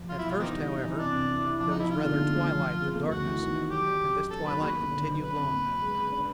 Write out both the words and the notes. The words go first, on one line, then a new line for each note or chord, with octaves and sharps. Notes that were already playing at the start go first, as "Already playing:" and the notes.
At first, however, there was rather twilight than darkness, and this twilight continued long.
Already playing: F3
F#3 F4
E4
B2
F4
E3 A#3 C4 D#4
G3
C#4
E3
C3 D4
C2
E4
E4
F3 D4
D#4
F3 E4
D#4 F4
D3
A3
A3
F3
F3
C#3
A3
D2 F#4
E3
D#3
D#3
F#3 G4
F#3
F#3
C#4
F#3 A4
D#3 B4
A#3 F#4 G#4 B4
A#3
D3
F#3
D3 B4
F2
A#3
F#3
G#3
C#3
D4